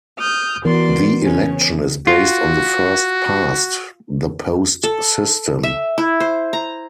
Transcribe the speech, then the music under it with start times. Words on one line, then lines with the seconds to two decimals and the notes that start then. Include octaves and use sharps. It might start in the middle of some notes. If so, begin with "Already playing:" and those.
The election is based on the first past the post system.
0.17 D#6 F6 G6
0.65 E3 B3 F#4 A#4 D5 C6
1.21 C#3 C#4
2.07 F4 F#4
4.83 A4
5.63 E5
5.98 E4
6.20 C5
6.53 A#5